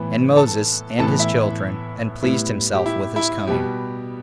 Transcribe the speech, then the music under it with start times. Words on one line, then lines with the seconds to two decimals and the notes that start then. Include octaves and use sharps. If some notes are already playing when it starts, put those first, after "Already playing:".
And Moses and his children, and pleased himself with his coming.
Already playing: A2 E3 B3 B4
0.36 A4 A5
0.98 A2 E3 B3 A4 A5
1.19 E4 E5
2.23 A2 G3 B3 E4
2.75 G4
2.86 E4
3.16 E4
3.47 B2 G3 B3 G4